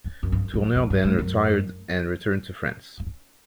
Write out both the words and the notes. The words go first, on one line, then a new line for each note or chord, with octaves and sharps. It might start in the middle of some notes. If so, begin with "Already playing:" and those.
Tourneur then retired and returned to France.
F#2
G2
F#2
F#2
G2
G#2
F#2